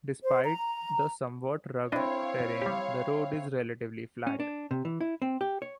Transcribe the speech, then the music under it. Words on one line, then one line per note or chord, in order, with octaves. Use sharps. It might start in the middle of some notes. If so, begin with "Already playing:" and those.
Despite the somewhat rugged terrain, the road is relatively flat.
C5
A#5
C4 D4 E4 C#5 D#5 F5
G3 G4
C#4
D4
C3
E3
E4
C4
G4
C#5